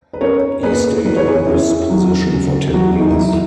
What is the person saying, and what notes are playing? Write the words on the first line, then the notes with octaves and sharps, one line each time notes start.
He stayed in this position for ten years.
B4
C#4 A#4 C#5
A#3 G#4 B4
E3 B4
C#5
G#4 B4
C#4 E4
F#3
C#4
F#3 F#4
E4
D#4
F#3 E4